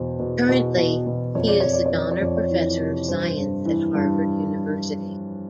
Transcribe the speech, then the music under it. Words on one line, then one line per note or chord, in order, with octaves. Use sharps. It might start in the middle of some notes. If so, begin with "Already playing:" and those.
Currently, he is the Donner Professor of Science at Harvard University.
Already playing: E2 B2 C5
B2
B2
B2
B2
F2 C#5
D5
F2 C#5
D5
C#5
F2
D5
C#5
F2 D5
C#5
E3
C3
G2 C5
G2
E3
G2